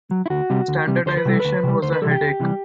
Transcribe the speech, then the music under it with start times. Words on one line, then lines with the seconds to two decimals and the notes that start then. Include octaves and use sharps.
Standardisation was a headache.
0.11 F#3
0.26 E4
0.30 D2 F#4
0.50 C3 G3
0.68 D2
0.87 C3 G3
1.06 D2 C5
1.17 B4
1.25 C3 G3 A4
1.40 D2 B4
1.63 C3 G3
1.82 D2 C5
1.93 B4
2.02 C3 E3 G3 A4
2.11 G4
2.21 D2
2.40 C3 E3 G3